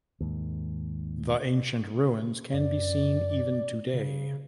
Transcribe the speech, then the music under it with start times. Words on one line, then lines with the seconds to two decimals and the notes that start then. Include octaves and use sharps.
The ancient ruins can be seen even today.
0.20 D#2 G#2
2.53 F#2 D5
3.94 C#3